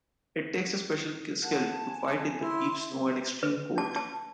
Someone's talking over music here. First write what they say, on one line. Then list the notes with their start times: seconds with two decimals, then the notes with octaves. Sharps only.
It takes a special skill to fight in the deep snow and extreme cold.
1.43 A#4 F#5 A5
1.83 G#5
2.42 B1 C#3 E4 C6
3.43 B4
3.78 A5
3.96 A5